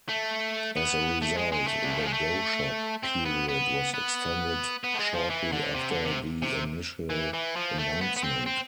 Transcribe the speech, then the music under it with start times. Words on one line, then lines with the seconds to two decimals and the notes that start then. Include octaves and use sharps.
As a result, the "go-shop" period was extended shortly after the initial announcement.
0.09 A3
0.77 B3
1.22 A3
1.37 G#3
1.52 G#3
1.67 A3
1.84 D3
1.92 E3
1.99 F3
2.06 G#3
2.13 A3
3.03 C4
3.25 B3
3.49 B3
3.94 B3
4.84 B3
4.94 A3
4.99 G#3
5.14 F3
5.30 E3
5.52 D3
5.75 C3
5.90 D3
6.05 C3
6.42 C3
7.10 E3
7.33 E3
7.56 F3
7.78 A3
8.01 B3
8.16 B3
8.24 C4
8.46 C4